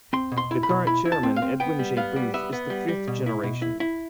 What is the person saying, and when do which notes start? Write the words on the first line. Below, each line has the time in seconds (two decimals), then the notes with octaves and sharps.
The current chairman, Edwin J. Booth, is the fifth generation.
0.13 C4 C6
0.32 B2
0.38 C6
0.51 E4
0.63 B5
0.69 B2
0.87 E4 B5
1.05 E4
1.12 A5
1.23 C4
1.36 F5
1.42 C4
1.60 B3 G5
1.79 G3
1.97 B3 F5
2.16 G3
2.34 B3 E5
2.53 B3
2.70 G3
2.88 G3
3.08 B2
3.26 E4
3.44 B2
3.62 E4
3.80 E4